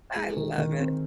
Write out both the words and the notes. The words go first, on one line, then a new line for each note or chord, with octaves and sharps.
I love it.
G#3
D#3
D#3
C4